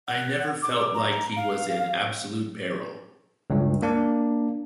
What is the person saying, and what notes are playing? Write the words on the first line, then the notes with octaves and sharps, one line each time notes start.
I never felt like he was in absolute peril.
F#5
D6
A#5
F5
C#2 G2
A#3 D4